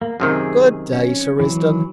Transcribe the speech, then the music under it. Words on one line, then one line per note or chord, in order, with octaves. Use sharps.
Good day, Sir Risdon.
A#3
F#2 C3 D#3 G#4
C#4
E3 F#3